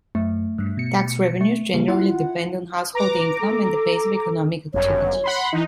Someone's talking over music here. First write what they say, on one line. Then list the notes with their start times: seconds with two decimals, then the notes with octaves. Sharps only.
Tax revenues generally depend on household income and the pace of economic activity.
0.15 F#2 A3
0.58 G2
0.77 B2 C#7
1.41 A3
1.74 C#3 G3 A#3
1.88 E4 F4 F#5
2.95 B4 A#5 D6
3.41 A4
4.74 G1 F#2 C#5
5.24 F#5 B5 C6
5.53 E3 D#4